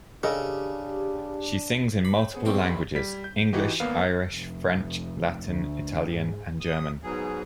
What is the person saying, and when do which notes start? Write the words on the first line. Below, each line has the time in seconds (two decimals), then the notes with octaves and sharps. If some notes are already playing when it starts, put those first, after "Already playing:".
She sings in multiple languages: English, Irish, French, Latin, Italian and German.
0.23 C#3 D4 G4 A4 A#4 D#5
2.05 B5 D6
2.18 C#5
2.33 B3 G#4 C5
2.45 B1 E2 C4 G4 A#4 C#6
2.61 D#5 B5 C6
2.95 G3 B6
3.24 G6
3.53 E3 D#4 F#4 G4
3.80 G#1 A#3 B3 F5
4.30 F1
5.44 D2
6.09 G#2
6.60 D#6
7.04 G#2 B2 F#3 G#4